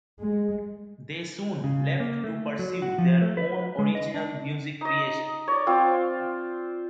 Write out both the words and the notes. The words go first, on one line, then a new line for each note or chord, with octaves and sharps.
They soon left to pursue their own original music creation.
G#3
C#3
A#3
A3
F#3
F#4
F3
A3
B4
G#3
D#5
D4
D#4 D#5
C#5 D5
C4 F4 C5